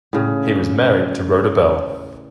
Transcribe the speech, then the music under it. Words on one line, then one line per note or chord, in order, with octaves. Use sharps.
He was married to Rhoda Bell.
A2 C#3